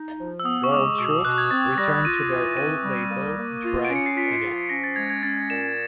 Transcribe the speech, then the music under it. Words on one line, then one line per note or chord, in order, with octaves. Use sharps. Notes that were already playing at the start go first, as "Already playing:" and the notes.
Royal Trux returned to their old label Drag City.
Already playing: D#4
F3
E6
B3 D#6
C#6
G#3 D6
B2 D#6
D#6
B2 F#6
G#6
C4 A6
G3 A#6
F4 D#7
E3
C4 D#7
G3
A#3
A#3
F4
D7
C#4
C#7
C7
F4 B6
F3
C#4 A#6
A6
G#3 G#6
G#6
C#4 A6
A#2 E7